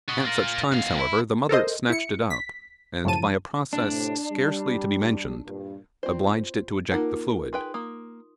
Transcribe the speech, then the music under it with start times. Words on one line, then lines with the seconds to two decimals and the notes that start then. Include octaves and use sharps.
At such times however, the mother snatched it up and by a process scarcely to be mentioned obliged it to eject the fluid.
0.09 F#4 D#5
0.26 F4 A#4
0.72 B2 F5
0.99 E4
1.49 A4 A#4 C5 D#5
1.90 E4 C#7
2.30 B6
3.05 F#2 A2 C#3 F3 A5 D#7
3.73 A2 C3 D4
4.31 G3
5.45 G2 A#2
6.03 C4 F4 C5 D5
6.92 A#3 D#4 F4 A#4 F#5
7.53 G#4 B4 G5 C6
7.74 A#3 D#6